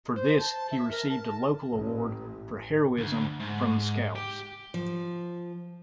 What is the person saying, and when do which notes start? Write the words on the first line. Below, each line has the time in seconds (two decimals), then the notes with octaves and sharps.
For this, he received a local award for heroism from the Scouts.
0.15 C5
0.39 A5
0.71 E5
0.90 A#4
1.08 A5
1.72 A1
2.97 D2
3.40 G#2
4.15 G4
4.74 F3